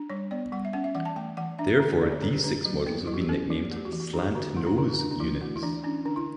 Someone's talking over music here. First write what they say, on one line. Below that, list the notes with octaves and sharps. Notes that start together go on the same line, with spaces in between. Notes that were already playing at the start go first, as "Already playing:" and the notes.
Therefore, these six models have been nicknamed "slant nose" units.
Already playing: D4
G3 C#5
B3 D5
G3 F#5
E5
C#4 F#5
E5
E3 F#5
A5
A3 G5
E3 F#5
D4 E5
D3
A3 D5
C#5
D3 A4
G4
D4 B4
F#3
B3
F#3 E4
F#4
G4
C#4 A4
E3
A3
G4
F#4
E3
F#4
D4 G4
D3 F#4
A3 E4
D4
D3 E4
F#4
D4
D4
E3 E4
A3 F#4
E4
E3 D4
C#4 D4
D3 D4
E4